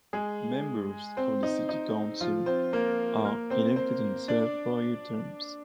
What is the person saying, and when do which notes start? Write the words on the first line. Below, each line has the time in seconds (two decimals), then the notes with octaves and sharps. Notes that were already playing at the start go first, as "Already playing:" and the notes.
Members of the City Council are elected and serve four year terms.
0.13 G#3 G#4
1.17 C4 C5
1.43 D#4
1.69 D#4
2.21 F3 F4
2.46 C4 C5
2.73 A#3 A#4
3.25 A#3 A#4
3.50 C4 C5
3.76 C4 C5
4.28 D4 D5